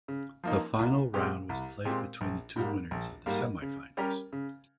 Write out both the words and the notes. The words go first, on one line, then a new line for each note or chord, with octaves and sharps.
The final round was played between the two winners of the semifinals.
C#3
F3 A#3 D#4
C2
A#2 G#3 C4 G4
C2
A#2 G#3 C4 G4
A#1
G#2 G3 A#3
A#1
G#2 G3 A#3
C#3
G3 C#4 G4 A#4
C#3